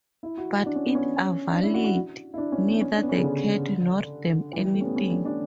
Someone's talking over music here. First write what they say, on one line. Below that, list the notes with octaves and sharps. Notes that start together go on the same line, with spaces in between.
But it availed neither the cat nor them anything.
E4
F#4
D4
C#4
B3
C#4
D4
E4
F#4
F#4
E4
D4
C#4
B3
C#4
D4
B3
C#4
C#3
D3
E3
G3
A3
C#4
B3
C#4
D4
D4